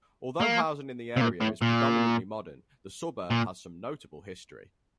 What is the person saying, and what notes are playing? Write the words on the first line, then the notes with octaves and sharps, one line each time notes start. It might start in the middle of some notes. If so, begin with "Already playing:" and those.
Although housing in the area is predominantly modern, the suburb has some notable history.
A#3
C3
A#2
A2
A#2
A#2